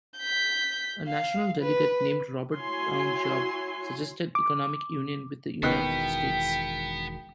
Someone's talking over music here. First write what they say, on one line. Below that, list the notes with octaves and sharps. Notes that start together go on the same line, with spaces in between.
A National Delegate named Robert Brown Job suggested economic union with the United States.
G6 B6
F5
B4
E4 F#4 C#5 G#5 C6
D6
E1 B2 D#3 B3 D#4 G5 F#6